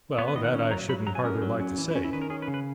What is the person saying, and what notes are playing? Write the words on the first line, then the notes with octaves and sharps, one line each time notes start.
'Well, that I shouldn't hardly like to say.
B3 C#5
B4
D#3 D#5
F#5
C#4
F#3 A#5
F#3 B5
F#3 A#5
G#5
C#4 A#4
F#3
C#4
E3
E4
C#4 F#4
E4
D#3 B4
A#4
C#4 G#4
B4
C#3
B4